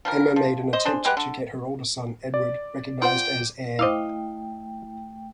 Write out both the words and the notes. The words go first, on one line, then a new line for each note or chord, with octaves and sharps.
Emma made an attempt to get her oldest son, Edward, recognized as heir.
F3 G3 A#4
F3
C5 D#5
D4 G#4 C5
G#3 G4 B4 F#5
D3
D5
F4 C5 F#5 G5
A3 E4 C5 D#5 F5 G5 D6 E6